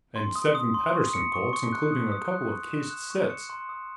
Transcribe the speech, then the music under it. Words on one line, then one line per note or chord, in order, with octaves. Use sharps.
And seven Paterson Colts, including a couple of cased sets.
C6
D#6
D#6
C6
C#6
C#7
C#6
C#6
F#6
D#6
D#6
F#6
C#6
E7
F#6
C#6
C#7
C6
D#6